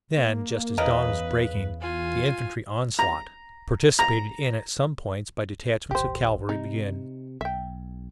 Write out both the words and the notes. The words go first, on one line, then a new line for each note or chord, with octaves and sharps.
Then, just as dawn was breaking, the infantry onslaught, participated in at some points by detachments of cavalry, began.
A#3
E2 C#3 A#4 B4 D#5
F4 G#5
A#5
A#5
D#1 G#1 G4 C5
C3 D#4
B1 E5 G5